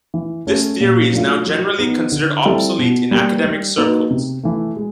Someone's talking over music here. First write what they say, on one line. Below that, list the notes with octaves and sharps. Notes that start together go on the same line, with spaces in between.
This theory is now generally considered obsolete in academic circles.
E3
A3 C#4
A#2
F#3 A3 D4 F4
F#3
B3 D#4
D3
G3 C4 E4 A4
B2
G3 A#3
G3
A#3 D#4 F#4 B4
C3
E3 A3
G#3